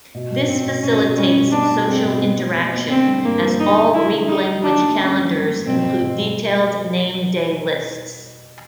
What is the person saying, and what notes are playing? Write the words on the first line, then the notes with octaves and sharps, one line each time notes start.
This facilitates social interaction, as all Greek language calendars include detailed name day lists.
B2
B2
B2 C4
B2
B2 C#4
B2
G3 C#4
B2
B3 D4
B2
G3 C4
B2
B3
B3
B3
B3
D3 C4
G3
G2 A#3
G3
D3 D#4
D3
G2 E4
D3
G3 D#4
D3
D3 D4
A#3
D3 C#4
G3
G3
A#3
B2 C4
B2
B2
G3